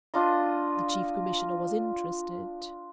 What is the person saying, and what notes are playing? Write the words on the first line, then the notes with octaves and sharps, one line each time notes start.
The Chief Commissioner was interested.
D4 F4 D#5